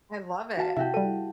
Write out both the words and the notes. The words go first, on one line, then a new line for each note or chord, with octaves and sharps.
I love it.
F#4 F5 A5
C3 E4 F#4 G4 E5
G3 A4 D#7